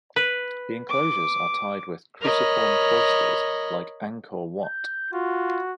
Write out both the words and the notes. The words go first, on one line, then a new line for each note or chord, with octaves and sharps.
The enclosures are tied with "cruciform cloisters", like Angkor Wat.
B4
D6
A#4 C#5 D#5 B5
G6
F4 F#4